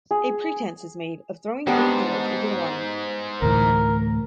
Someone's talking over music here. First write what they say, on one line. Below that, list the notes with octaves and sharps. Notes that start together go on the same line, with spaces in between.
A pretense is made of throwing Green George into the water.
G#4
G#2 G3 B3 D4
D2 A2 E3 A#4